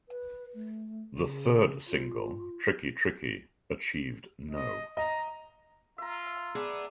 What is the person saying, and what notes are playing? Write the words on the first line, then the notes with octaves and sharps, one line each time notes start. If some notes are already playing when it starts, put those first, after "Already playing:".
The third single, "Tricky, Tricky", achieved No.
B4
A3
C#3
F4
D#5
D#5 A#5
F4 E5 A#5
B3 D4 G#4